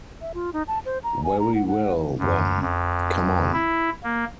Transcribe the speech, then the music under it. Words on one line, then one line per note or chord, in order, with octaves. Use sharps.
Very well, then; come on.
E5
F4
D#4
A5
C5
A#5
G#5
A#5
F#5
F#5
F#2
F2
E4
A#3